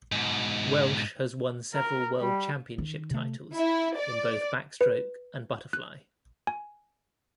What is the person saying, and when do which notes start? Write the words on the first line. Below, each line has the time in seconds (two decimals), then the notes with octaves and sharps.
Welsh has won several world championship titles in both backstroke and butterfly.
0.12 G#2 B2
1.74 A#4
2.20 G3
2.78 D#3
3.11 C3 A3
3.55 E4
3.97 D5
4.81 B4
5.73 F#6
6.47 G#5